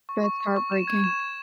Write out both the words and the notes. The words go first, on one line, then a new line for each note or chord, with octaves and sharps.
That's heartbreaking.
C#6
C#6
C#6
C#6
E7
G#6
E7
E7